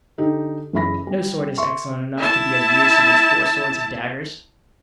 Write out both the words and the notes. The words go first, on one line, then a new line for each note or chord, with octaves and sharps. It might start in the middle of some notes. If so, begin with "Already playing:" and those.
"No sword is excellent enough to be of use against four swords and daggers."
D3 D#4 G4
F#1 C#3 E3 E5 B5 A#6
G3
E5 C6 C#6
E4 A5